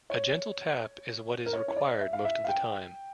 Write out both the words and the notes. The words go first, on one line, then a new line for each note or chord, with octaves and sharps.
A gentle tap is what is required most of the time.
C#5
A#4
C#5
C#5
D5
E5
F5
E5
F5
G5